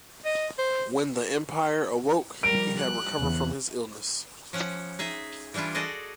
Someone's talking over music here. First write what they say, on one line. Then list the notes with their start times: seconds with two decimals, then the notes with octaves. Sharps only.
When the emperor awoke, he had recovered from his illness.
0.25 D#5
0.58 C5
2.43 F3 G3 G4 A#4 D7
2.79 F#6
3.18 E2 C#3 E3
4.53 F3 C#4 F#5
4.99 D#4 G#4 E5
5.54 E3 G3 D4 E4 F4
5.75 F#4 G#4 A4 D5 D#5